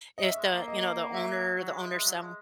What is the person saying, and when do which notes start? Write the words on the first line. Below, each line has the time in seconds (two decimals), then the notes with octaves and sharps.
If the, you know, the owner the owner's son
0.18 D#5
0.22 C#4 E5
0.37 G#3
0.52 A#3
0.68 D#5
1.14 E5
1.59 F#3
1.75 G#3
1.90 G#3
2.05 F#3
2.20 G#3